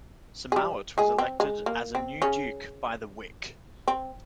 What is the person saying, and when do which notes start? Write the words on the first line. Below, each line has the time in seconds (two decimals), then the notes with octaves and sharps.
Siemowit was elected as new duke by the "wiec".
0.52 G#4
0.56 G3 G4
0.98 G#3 G#4
1.18 C4
1.40 G#3
1.66 A#3
1.95 C4
2.22 C#3 C#4
3.88 C4